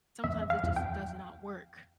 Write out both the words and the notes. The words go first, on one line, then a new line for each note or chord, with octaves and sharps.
sometimes it just does not work.
F2 E5
F5
F2
G5